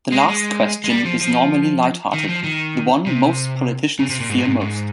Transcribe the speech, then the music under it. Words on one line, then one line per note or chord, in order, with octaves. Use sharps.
The last question is normally light hearted - the one most politicians fear most.
G#3
G#3
G#3
G3
F3
F3
D#3
F3
D#3
C3
C#3
C3
A#2
G#2
A#2
G#2
G#2